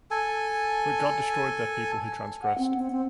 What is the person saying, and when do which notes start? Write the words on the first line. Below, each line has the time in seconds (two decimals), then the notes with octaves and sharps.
But God destroyed their people who transgressed.
0.11 A4 G#5
2.43 F#5
2.59 C4
2.78 C4
2.92 C4